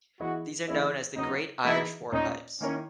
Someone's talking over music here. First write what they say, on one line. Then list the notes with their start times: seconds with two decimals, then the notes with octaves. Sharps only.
These are known as the "Great Irish Warpipes".
0.20 E3 B3 E4 F#4 G#4 D#5
0.68 E3 A#3 C#4 E4 G#4 D#5
1.16 C#3 F#3 B3 D#4
1.64 E3 A#3 D#4 E4 G#4 D#5
2.12 A#2 A#3 C#4 D#4
2.60 D#3 A#3 C#4 E4 A#4 C#5